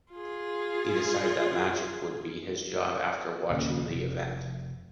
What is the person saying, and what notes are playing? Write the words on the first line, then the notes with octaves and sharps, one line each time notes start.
He decided that magic would be his job after watching the event.
F4 G#4
D#2 A#2 C#3
F1